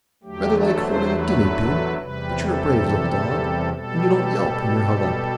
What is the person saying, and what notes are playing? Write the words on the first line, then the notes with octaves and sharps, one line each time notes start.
'Rather like holding a guinea-pig; but you're a brave little dog, and you don't yelp when you're hung up.
E2 D3 F#3 A3 G4
A4
C5
B4
E2 C3 G3 B4
A4
B2 G3 A4